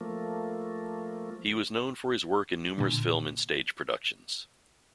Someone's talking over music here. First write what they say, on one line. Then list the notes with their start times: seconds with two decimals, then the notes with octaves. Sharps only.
He was known for his work in numerous film and stage productions.
0.01 F3 A3 A#3
2.78 A#2 D3